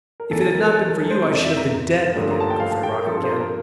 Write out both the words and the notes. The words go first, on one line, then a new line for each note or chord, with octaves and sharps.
"If it had not been for you, I should have been dead!" began Courfeyrac again.
A#4
E1 E2 E3 A4
A4
A#4
A4
A4
A#4
A4
C5
F2 C3 F3
D5
E5
A#5
A1 G2 D3 F3 A#3
A#5
A5
G5
F5
A5
G5
A#4
G2 F3 C4 A4
A4
C5
A#4
A#4